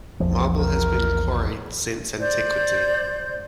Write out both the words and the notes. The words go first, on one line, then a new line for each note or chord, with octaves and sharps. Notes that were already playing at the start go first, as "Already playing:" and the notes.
Marble has been quarried since antiquity.
A#1 E2 F3
A#4
C5 D5 G6